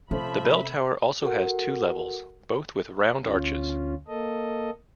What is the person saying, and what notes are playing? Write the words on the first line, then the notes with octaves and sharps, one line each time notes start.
The bell tower also has two levels, both with round arches.
C3 F3 A3 C#4 C5 E5 B5
F#4 A4 A#4 F#5
D2 C#4 F4
A#3 A4 D#5